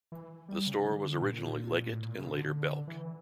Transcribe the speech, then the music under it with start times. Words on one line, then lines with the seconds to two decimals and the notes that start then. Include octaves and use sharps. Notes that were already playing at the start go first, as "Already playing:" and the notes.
The store was originally Leggett and later Belk.
0.12 E3
0.48 G3
0.67 C#3
0.85 D3
1.03 D3
1.21 A#2
1.91 A2
2.05 A#2
2.19 C#3
2.32 D3
2.87 E3